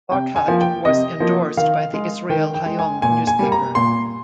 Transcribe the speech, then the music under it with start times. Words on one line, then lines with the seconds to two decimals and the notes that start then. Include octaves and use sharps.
Barkat was endorsed by the "Israel Hayom" newspaper.
0.11 C3 G5
0.36 G#5
0.48 F3 A#3
0.61 G5
0.85 C3 D#5
1.20 F3 A#3
1.57 D#3 F5
1.94 G#3
2.30 D#3 G5
2.54 G5
2.66 G#3
2.79 G#5
3.02 A#2 G#5
3.27 G#5
3.39 G3 A#3
3.52 A#5
3.75 A#2 C6